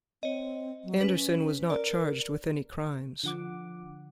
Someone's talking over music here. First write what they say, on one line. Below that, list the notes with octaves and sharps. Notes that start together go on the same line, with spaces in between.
Andersen was not charged with any crimes.
C4 C#5 D#5
F#3
C#4 B4
A#4 D5
D3 F3 F#5 D6